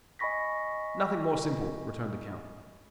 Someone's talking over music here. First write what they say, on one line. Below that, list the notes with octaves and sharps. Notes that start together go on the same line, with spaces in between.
"Nothing more simple," returned the count.
D#5 G#5 B5 C#6 A#6 B6